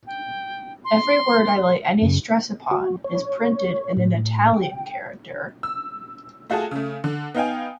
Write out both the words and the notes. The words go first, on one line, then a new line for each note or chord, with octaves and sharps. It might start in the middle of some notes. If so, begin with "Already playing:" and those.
Every word I lay any stress upon, is printed in an Italian character.
G5
C6
F#2 C#3
F#4
C#5
A2
G5
E6
A3 F4 F#4 G#4 A5
C#3 A3
D3
B3 D#4 F5 G5 G#5